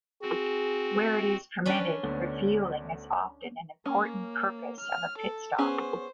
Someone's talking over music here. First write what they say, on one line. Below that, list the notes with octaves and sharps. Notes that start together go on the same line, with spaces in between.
Where it is permitted, refuelling is often an important purpose of a pit stop.
C4 F#4 G#4
C#4 D4 B4
D2 D3 B3
A#3 C#4
F6
A4
B3 C#4 G#4 C5